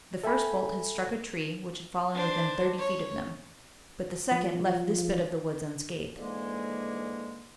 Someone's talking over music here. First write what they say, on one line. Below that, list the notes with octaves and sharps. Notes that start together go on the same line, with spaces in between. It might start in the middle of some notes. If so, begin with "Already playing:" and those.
The first bolt had struck a tree which had fallen within thirty feet of them, but the second left this bit of the woods unscathed.
A4 E5 G5 G#5 B5
D4 C5
C#5
F3
G#2 D3 E3 G#3 A#3